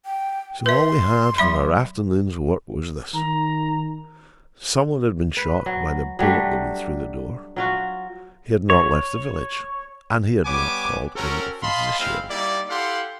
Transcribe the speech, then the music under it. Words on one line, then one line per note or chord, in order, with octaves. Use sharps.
So all we had for our afternoon's work was this: some one had been shot by the bullet that went through the door; he had not left the village, and he had not called in a physician.
G5
B4 E5 C6
F#3 E5 B5
D#3 A#5
B4
F#3
F#3 G3 A3 D4
F#3 F4 F#4
C#5
G3 B3 C#5 G#5 D6
C4 C#4 F#4 A4 A#4
D#5 F5 A5 B5 C6
G#3 C4 E4 F5
G3 A#3 D#4 E4 D5
E4 G4 A4 F5 F#5 C6